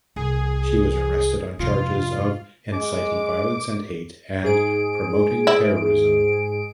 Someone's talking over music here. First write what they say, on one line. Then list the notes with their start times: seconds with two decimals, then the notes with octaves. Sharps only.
She was arrested on charges of "inciting violence and hate" and "promoting terrorism".
0.16 C2 G#4
1.59 F2 C3 F4
2.73 G#3 D6
4.43 G#2 G#4 D7
5.47 E4